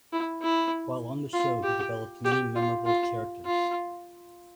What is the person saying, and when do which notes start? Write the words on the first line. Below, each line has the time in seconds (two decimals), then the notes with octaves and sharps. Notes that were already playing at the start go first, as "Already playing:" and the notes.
While on the show, he developed many memorable characters.
0.13 E4
0.42 E4
1.33 F4
1.63 G4
2.25 G4
2.56 F4
2.86 F4
3.46 F4